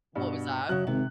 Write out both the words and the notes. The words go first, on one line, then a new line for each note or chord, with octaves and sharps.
What was that?
G2 B2
F#2 C#3 F#3 F#6
G#1 C3